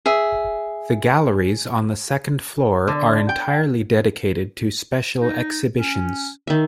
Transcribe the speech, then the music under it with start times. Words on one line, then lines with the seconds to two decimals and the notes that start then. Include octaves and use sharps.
The galleries on the second floor are entirely dedicated to special exhibitions.
0.06 G#4 E5
2.88 D3
3.29 G5
5.21 D#4
5.77 C#4
6.47 D#3 E5